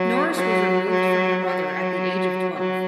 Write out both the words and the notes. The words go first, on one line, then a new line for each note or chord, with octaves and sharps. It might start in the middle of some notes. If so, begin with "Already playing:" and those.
Norris was removed from her mother at the age of twelve.
Already playing: F#3
F#3
F#3
F#3
F#3